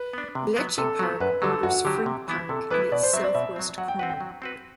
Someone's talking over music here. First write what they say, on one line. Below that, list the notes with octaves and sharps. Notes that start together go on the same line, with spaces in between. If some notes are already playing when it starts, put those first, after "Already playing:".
Leschi Park borders Frink Park in its southwest corner.
Already playing: B4
B3 D4
C3
F#3 B3
C3 A4
F#3 B3
F#2 B4
D3 F#3 A4
F#2 F#4
D3 F#3 G4
C3
E3 B3 E4
C3 A4
E3 B3 E4 B4
B2 D5
C5
F#3 C4 E5
D5
B2 E5
F#3 C4
F#3 F#5
G5
C4 F#4 B4 F#5
G5
F#3
C4 F#4 B4